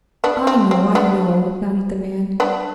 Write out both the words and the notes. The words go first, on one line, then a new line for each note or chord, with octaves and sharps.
"I know, I know," nodded the man.
B3 D4
C4
C4
B3 D4
B3 D4